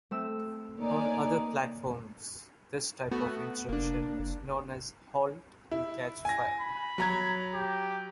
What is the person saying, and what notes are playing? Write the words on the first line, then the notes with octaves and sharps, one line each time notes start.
On other platforms, this type of instruction is known as Halt and Catch Fire.
A3 C4 E6
A#3 D#4 C#5 D5 G#5
A3 B3 F#4
F1 A#3 D4
F#1
E4
G#5 A#6
B5
F#3 A#5 G#6
G4